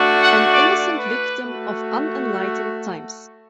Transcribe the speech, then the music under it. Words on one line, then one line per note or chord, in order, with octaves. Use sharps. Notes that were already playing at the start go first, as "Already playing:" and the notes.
An innocent victim of unenlightened times.
Already playing: A3 D4 F#4
F#5
D5
B4
A3 F#4